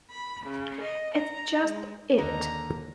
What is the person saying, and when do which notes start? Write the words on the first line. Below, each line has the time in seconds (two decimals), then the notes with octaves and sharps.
It's just 'It'.
0.10 B5
0.46 C#3
0.82 D#5
1.15 A#5
1.64 G#3
2.18 D#2 D3 D#4 A#5